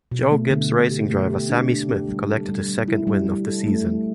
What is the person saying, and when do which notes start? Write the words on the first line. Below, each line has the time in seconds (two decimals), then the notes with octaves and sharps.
Joe Gibbs Racing driver Sammy Smith collected his second win of the season.
0.12 B2
0.32 A3
0.50 D3
0.70 D3
0.91 G4
1.10 A3
1.30 G4
1.49 D4
1.69 D4
1.89 G4
2.09 G3
2.29 A4
2.48 G3
2.68 G3
2.88 E4
3.07 G3
3.27 G3
3.47 A4
3.67 A3
3.86 A3